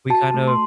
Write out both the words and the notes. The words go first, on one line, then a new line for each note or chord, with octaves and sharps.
we kind of
F#4 A5
A3
C6